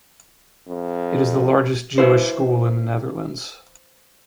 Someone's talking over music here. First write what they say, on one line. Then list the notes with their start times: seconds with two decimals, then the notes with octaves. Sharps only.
It is the largest Jewish school in the Netherlands.
0.68 F2
1.98 E4 B4 C5